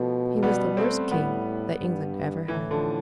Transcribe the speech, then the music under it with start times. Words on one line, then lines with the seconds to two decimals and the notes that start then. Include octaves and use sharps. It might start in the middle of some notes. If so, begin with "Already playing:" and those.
He was the worst king that England ever had.
Already playing: B2 F3 A3
0.43 G3 B3
0.77 A3 C4
1.11 A2 G3 B3
1.79 G2
2.48 A2 E3
2.71 D3 F3